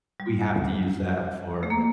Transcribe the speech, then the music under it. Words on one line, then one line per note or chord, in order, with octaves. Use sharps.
we have to use that for,
G3
A3
A#3